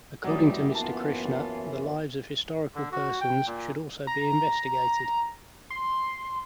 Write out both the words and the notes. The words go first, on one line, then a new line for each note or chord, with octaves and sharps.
According to Mr. Krishna the lives of historical persons should also be investigated.
F#2 E3 F#3 G3 A3 G4 D5 D#6
A#3 B3 F4 A5
D3
F#4
G5
A#2
A#5
C6